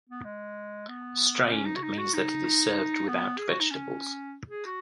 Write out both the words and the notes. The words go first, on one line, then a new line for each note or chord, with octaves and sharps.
"Strained" means that it is served without vegetables.
B3
G#3
B3
C#4
D#4
F#4
D#4
F#4
D#4
B3
G#4
F#4
D#4
C#4
G#4
F#4